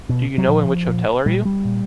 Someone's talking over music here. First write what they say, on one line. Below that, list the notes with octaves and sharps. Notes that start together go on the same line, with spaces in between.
Do you know in which hotel are you?
B2
F#3
A#2 F3
A#2
A#2 G3
G3
A#2